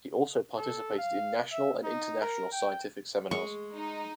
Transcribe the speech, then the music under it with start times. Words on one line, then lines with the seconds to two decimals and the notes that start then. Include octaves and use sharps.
He also participated in national and international scientific seminars.
0.58 A4
0.98 F5
1.52 E5
1.83 D#4
2.20 A#4
2.52 G5
3.31 G#3 C#6
3.74 D#4